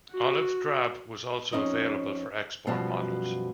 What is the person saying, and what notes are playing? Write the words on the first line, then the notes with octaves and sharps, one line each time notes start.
Olive drab was also available for export models.
F#4
F2 B2 C#4 D#4 C5 D#5
F#2 B2 F3 G3 A5